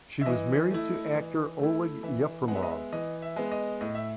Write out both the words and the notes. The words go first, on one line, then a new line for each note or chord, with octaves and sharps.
She was married to actor Oleg Yefremov.
E5
E3 D#5
A3 E4
E3
A3 E4
E3 E5
G#3 B3 E5 F#5
D#5
E5
E3 D#5
E5
G#3 B3
D#5
A2 D#5
E5